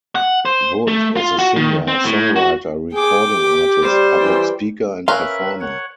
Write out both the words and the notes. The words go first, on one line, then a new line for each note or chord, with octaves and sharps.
Wood is a singer, songwriter, recording artist, public speaker and performer.
F#5
C5
A3
F4
F#4
D#3
C4
A2
F#4
G#4 G5 D6
G4
G3 C5
E3 G5
C#4 A#4 B4 E5 F5 C6 F#6
C#5 F#5